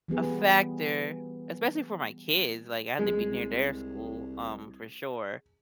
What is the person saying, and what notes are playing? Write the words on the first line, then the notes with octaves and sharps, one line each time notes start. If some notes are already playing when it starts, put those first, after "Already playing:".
a factor, especially for my kids, like, I have to be near their school, um, for sure.
E3 G3 B3 G#4
C2 G#3